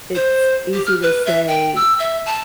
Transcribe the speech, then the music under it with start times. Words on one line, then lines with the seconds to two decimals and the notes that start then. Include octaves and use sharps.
it's easy to say,
0.15 C5
0.73 G4
0.86 F6
1.02 B4
1.26 E5
1.48 G5
1.76 E6
1.99 E5
2.26 A5